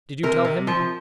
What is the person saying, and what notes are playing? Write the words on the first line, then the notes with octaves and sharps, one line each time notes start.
Did you tell him?
C3 A#4
C3
F3